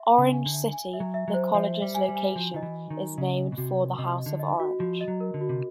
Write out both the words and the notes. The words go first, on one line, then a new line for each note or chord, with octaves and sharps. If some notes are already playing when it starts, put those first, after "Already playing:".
Orange City, the college's location, is named for the House of Orange.
Already playing: E5 C6
G#5
C#3
G#5
D3
E5
G#5
E5
F#3
E5
F#3
C5
F3 E5
E5
G3
G#5
G3
G#5
F3 F#4
D#3 D#5
E3
D#5
D#3
D#5
C#3 D#5
D#5
B2
C3 F#4
A#4
C3 D#5
D#5
D3
D#5
F#4
F3 F#4
D#5
F#3
A#4
D3
F#4
C3